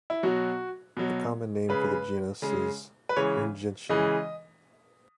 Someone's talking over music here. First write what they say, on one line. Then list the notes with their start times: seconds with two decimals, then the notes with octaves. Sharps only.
The common name for the genus is 'Moon-gentian'.
0.10 E4
0.23 B2 F#3 F#4
0.97 B2 F#3
1.69 C#3 G#3 B4
2.42 C#3 G#3
3.09 B4
3.16 C#3 E3 G#3 C#5
3.89 C#3 E3 G#3 D#5